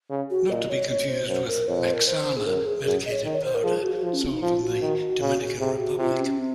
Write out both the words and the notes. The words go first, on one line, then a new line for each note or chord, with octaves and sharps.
Not to be confused with "Mexana" medicated powder, sold in the Dominican Republic.
C#3
F#4
A#2 D#5
C#5
C#5
C5
F#2 C5
A#4
F2 C#5
C5
A#4
C5
G#4
F#2 A#4
G#4
F#2 G#4
D#5
C#5
D#3 D#5
C#5
C5
A#4
F3 G#4
F#4
F#4
F3 F4
C#4
C4
D#4
F3 F4
F#4
D#3
C#3
C3 G#4
F#4
C3 F4
C4
C#4
C4